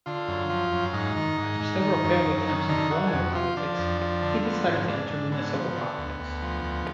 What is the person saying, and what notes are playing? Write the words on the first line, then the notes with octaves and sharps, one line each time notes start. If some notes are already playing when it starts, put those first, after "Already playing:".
After several failed attempts in colonial politics, he decided to enter municipal politics.
D3 F4
F#2
F3
F#2
G#2 D#4
D#3
G#2
G#2
D#3
F#2
F#2
D#3
D3 D#4
D3 F#4
G#4
F2 F#4
F3 F4
F3 D4
F2
F3
D3
F3 B3
G#2
G#2 D4
G#2
D3 B3
F3
D3
D2
D2
F3
D2